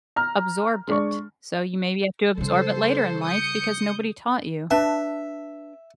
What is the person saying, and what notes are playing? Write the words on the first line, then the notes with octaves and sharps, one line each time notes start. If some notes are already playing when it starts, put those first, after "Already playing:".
absorbed it? So you maybe have to absorb it later in life because nobody taught you.
A#5 F6
G#3 D4 C#6
C#3 G3 A4 C5
D#6 G6 C#7
D4 B4 E5 A5